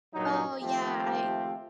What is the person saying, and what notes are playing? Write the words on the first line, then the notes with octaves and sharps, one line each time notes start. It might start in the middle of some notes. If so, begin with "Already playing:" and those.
Oh, yeah, I
G2 A#2 F#3 D#4
D#2 F3 A3 C4 F4 G4